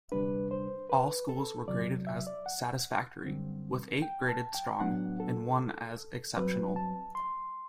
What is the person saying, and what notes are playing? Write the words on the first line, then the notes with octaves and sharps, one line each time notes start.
All schools were graded as "satisfactory", with eight graded "strong" and one as "exceptional".
D2 C3 G3 D4 B4
C5
B4
A4
E2 C3 F#3 D5
E5
D5
F#5
F#2 D3 G3 C4
G5
A5
G5
A2 F#3 B3 D4 F#5
A4
G2 F#3 C4 B4
A5
C6